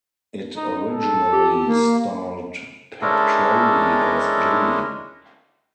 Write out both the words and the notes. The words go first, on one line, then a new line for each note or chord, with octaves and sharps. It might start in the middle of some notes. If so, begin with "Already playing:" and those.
It originally starred Pat Crowley as Judy.
D#4
A4
G4
A#3
G#3 C#4 D4 E4 A4 A#4